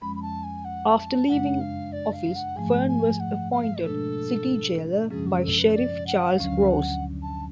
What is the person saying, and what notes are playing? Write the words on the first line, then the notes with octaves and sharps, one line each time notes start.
After leaving office Fern was appointed City Jailer by Sheriff Charles Rose.
F2 F3 G#3 C#4 B5
B5
A5
G#5
F#5
A5
F#2 C#3 G#3 D4 F#5
F5
D5
F5
F#5
G#2 F3 A3 G#5
G#5
F#5
F5
B2 G#3 D4 A4
F#2 C#3 F3 G#3 C#4 G#4
F#4
A4
B4
D5
F#5
D2 D3 F#3 C#4 F5
F#5
A5